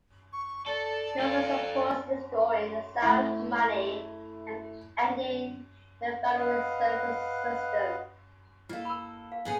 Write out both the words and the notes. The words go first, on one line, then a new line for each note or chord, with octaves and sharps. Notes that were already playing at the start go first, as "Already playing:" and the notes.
He also supports restoring sound money and ending the Federal Reserve System.
C#6
A4 D5
F4 A4
A3 E4
B4 D#5 F5 F#5
A#3 E4 A4 D#5 F5
B5 E6
F5
A2 B3 G#4